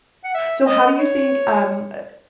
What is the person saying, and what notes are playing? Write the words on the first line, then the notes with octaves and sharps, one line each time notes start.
So how do you think, um, eh,
F#5
E5
D#5
C#5